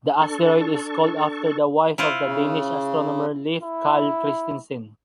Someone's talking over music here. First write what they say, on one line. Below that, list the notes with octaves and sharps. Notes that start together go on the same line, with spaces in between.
The asteroid is called after the wife of the Danish astronomer Leif Kahl Kristensen.
D4 A4 C#6
E4 F4 C5
C#3
E4